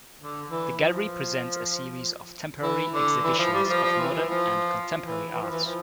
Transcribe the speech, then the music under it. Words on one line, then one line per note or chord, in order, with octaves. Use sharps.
The gallery presents a series of temporary exhibitions of modern and contemporary art.
D3
E3
F3
E3
D3
E3
F3
G3
F3
F3
E3
E3
F3
E3
E3
F3
E3
F3